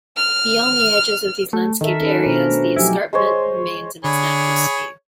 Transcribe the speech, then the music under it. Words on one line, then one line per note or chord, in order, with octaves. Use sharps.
Beyond the edges of these landscaped areas, the escarpment remains in its natural state.
F6
A3
D#3 A4 A#4 E5
C#4 D#4 A4 B4 C#5
B2 D4 A#4 C5
A3
F3 F#3 D#4 E4 G4 G#5
G#3 C5 C#5
D3 G#4 C#5 B5